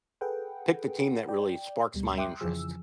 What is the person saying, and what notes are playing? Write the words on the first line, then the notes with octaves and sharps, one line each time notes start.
pick the team that really sparks my interest."
G#4 A4 B4 F#5 G5
D5 G5
D2 B2 G3
E5 G5 C6 D6 D#6 F#6
F2 C#3 E3 F3 G#4 E6